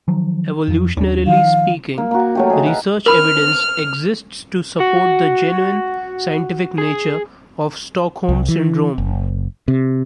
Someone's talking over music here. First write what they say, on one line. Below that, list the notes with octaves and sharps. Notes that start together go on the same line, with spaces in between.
Evolutionarily speaking, research evidence exists to support the genuine scientific nature of Stockholm syndrome.
D#3 F3 F#3
F2 F3
D#2 C#4 D4
D#3 F3 F5
A#3
A#3 F#4
F#3 A3 G4
G#4 D#5
B4 F5 A5 A#5
A#4 B5 F6
F#4
G#4
C2
E3
F#1
C3